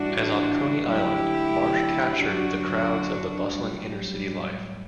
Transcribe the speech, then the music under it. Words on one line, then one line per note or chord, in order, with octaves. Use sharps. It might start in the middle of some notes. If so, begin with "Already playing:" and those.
As on Coney Island, Marsh captured the crowds of the bustling inner city life.
Already playing: A2 E3 G3 D4 F#4
D2 D3 F#3 E4 G4
F#2 D3 F#3 D4 F#4
A2 F#3 G3